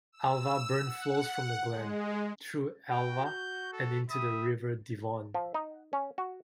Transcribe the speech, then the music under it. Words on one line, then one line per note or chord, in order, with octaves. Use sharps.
Alva Burn flows from the glen, through Alva, and into the River Devon.
E6
F#5
G#3
F#4 G5
G6
A4
E5 G5 B5 D#6
F3
D#4
C#4
F#4